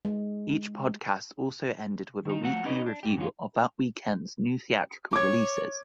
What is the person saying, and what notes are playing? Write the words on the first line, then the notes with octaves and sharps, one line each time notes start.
Each podcast also ended with a weekly review of that weekend's new theatrical releases.
G#3
D#3 D#4
F3 A3 F#4 F#5
B3 C#4 D#4 G4 B4 D#5
D4
G#2 G4
F#2 E3 C#4 F4
C#5 D6 G#6